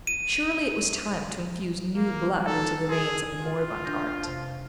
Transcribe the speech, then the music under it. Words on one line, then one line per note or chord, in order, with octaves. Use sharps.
Surely it was time to infuse new blood into the veins of the moribund art.
D#7
A#3
D#4 A4 A#5
G#4 A#4 C6 E6
F4
D4 G6 A#6
F2 C3